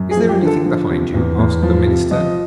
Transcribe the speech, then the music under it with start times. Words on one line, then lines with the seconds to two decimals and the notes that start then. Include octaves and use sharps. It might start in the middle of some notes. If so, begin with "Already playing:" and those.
'Is there anything behind you?' asked the minister.
Already playing: F#2
0.11 G#4
0.16 F3
0.29 G4
0.41 D3
0.46 A4
0.66 F3
0.89 C3
1.14 E2
1.39 E2
1.62 F3
1.87 C3
2.11 F3 D#5